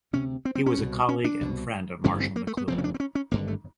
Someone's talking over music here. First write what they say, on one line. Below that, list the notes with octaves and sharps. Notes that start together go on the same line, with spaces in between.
He was a colleague and friend of Marshall McLuhan.
D2 C3 C#4
C4
C4
C#4
C2 B2
C#4
D4
C2 B2
A1 G2 D3 C#4
C4
A#3
A3
B3
F1 F2 C#3 C4
C#4
D4
C4
C#4
C#4
G#1 G2 D3 A#3
A3